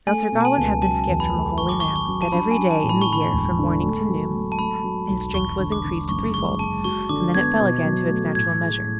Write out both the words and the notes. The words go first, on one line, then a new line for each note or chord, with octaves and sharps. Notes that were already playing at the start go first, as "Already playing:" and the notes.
Now Sir Gawain had this gift from a holy man, that every day in the year, from morning to noon, his strength was increased threefold, and then it fell again to its natural measure.
A3 G#5
B2
A5
G#5
C#2
F#3 A5
E2
B5
A3
G#1 C#6
D6
F#3 C#6
C#6
F#3
A5
D4 B5
G#5
D4
A5
A2
B5
C#6
D3 B5
E1
D3
A3
F#3
A3
A5
A3 B5
F#3
B1
E1 C#6
D3
D6
D3
F#1 C#6
G#3 C#6
G#3 A5
F#4 C#6
D3 D6
B3 G#6
B2
F#3
A3
A2 G#6
G#4
A2